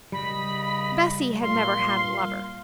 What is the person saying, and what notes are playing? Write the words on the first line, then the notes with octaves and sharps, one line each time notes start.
Bessy had never had a lover.
D#2 C#3 G3 D#5 B5
A#2 F5 C6